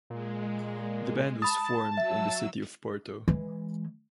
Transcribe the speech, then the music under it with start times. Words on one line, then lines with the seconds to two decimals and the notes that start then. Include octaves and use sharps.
The band was formed in the city of Porto.
0.10 A#2 G#3
1.42 A5 B5 D#6
1.97 F#3 E5 E6
3.28 E3 G#3